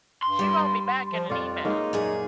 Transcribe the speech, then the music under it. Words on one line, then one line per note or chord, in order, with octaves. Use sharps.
She wrote me back in an email,
G2 C6
G3 G4 D5
F3
F2 F4 C#5 D5
G#3 A#3 C#4 D#4
F#2 A#2 G#4 C#5 D5